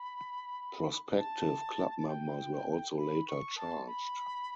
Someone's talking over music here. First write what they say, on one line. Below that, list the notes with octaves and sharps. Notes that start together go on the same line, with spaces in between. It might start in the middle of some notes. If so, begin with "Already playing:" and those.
Prospective club members were also later charged.
Already playing: B5
A5
A5
G5
B5
C#6
A5
B5